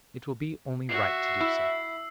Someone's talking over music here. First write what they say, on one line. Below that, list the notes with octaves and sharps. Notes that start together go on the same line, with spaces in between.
"It will be only right to do so."
F#4 E5 C7
E4 E6